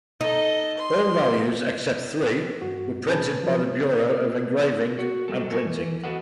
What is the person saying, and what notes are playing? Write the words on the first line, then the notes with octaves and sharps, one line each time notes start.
All values except three were printed by the Bureau of Engraving and Printing.
D#4 A4 D#5
C6
G2 F#4
A#2 C#4 G#4 B4 A5 G6
F3 F#3 B4
F#4
F#3 G3 A4
A4 A#4 C#5 G5 G#5
E3
F#4 A4 B4 D#5 F5 F#5